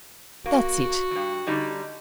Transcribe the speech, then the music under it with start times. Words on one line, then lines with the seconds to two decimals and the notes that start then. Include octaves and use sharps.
That's it.
0.46 A#3 F#4
1.11 E2 G2
1.47 D3 G3 D#4